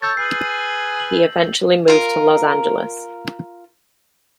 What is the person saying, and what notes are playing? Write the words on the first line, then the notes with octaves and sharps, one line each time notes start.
He eventually moved to Los Angeles.
A4 C#5 E6 G6 A6
G#4 B4 G#5 C7
F#7
F4 A#4